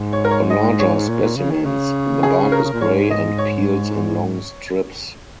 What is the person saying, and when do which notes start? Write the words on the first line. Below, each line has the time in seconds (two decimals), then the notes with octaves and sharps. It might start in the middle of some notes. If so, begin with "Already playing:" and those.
On larger specimens the bark is grey and peels in long strips.
Already playing: G#2
0.13 C#5
0.25 A#4
0.31 C#5
0.50 D#5
0.79 C#5
1.08 A#2
1.22 A#2
1.36 C#3
1.51 D#3
1.65 C#3
2.23 G#4
2.52 A#4
2.64 C#3
2.73 A#2
2.81 G#2 C#5
3.10 D#5
3.38 C#5